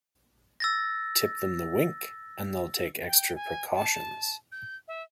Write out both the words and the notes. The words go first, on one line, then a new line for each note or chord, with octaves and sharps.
Tip them the wink, and they’ll take extra precautions.
E6 A6 A#6
G5
G#5
A5
G6
E5